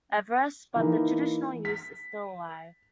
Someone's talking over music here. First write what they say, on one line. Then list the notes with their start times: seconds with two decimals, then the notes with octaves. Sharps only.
Everest, but the traditional use is still alive.
0.76 E3 A#3 D#4
1.65 B6